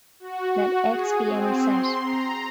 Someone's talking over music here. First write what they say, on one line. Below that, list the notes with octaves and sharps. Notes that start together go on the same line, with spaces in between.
Let "X" be any set.
F#4
F#4
G#4
C4
C6
A#5